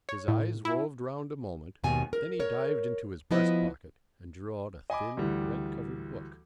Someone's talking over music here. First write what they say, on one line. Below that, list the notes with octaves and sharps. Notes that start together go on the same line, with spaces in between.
His eyes roved round a moment; then he dived into his breast-pocket, and drew out a thin red-covered book.
C#5
A2
E4
D#2 G#2 B2 G#5
A#4
A#4 C#5
F3 B3 E4 B4 D#5
D#5 G#5 B5 D6
D2 E3 G3